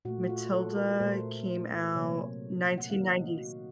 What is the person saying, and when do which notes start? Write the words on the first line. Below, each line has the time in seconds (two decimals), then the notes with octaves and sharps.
Matilda came out nineteen ninety s
0.05 A#2 A3 F#4
0.24 F#4
0.29 F4
0.53 A4
0.76 A#4
1.00 A#2 A3 C5
1.95 C3 F#3 A#3 C#5
2.78 F#5
2.90 D#3 A#3 F5
3.14 D#5
3.38 F#4